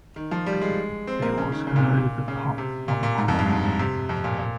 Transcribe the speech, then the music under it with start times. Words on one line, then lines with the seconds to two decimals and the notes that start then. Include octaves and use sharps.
There was heard the pop of a cork.
0.16 D#3
0.31 F3
0.46 G3
0.62 G#3
1.07 C4
1.22 A#3
1.38 C#3
1.52 D#3
1.67 C#3
1.76 A#2
1.82 C3
1.97 A#2
2.28 C#3
2.58 C3
2.88 A#2
3.03 A#2
3.18 G#2
3.28 F2
3.39 G2
3.49 G#2
3.64 G#2
3.79 C3
4.09 F2
4.24 A#2
4.39 A#2